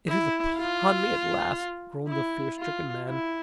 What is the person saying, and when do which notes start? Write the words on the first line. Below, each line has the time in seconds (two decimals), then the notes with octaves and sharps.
"It is upon me at last!" groaned the fear-stricken man.
0.08 E4
0.58 F4
2.08 E4
2.58 F4
3.09 E4